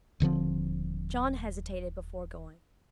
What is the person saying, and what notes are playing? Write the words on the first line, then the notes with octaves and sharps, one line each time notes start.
John hesitated before going.
D#1 D3 F3 C4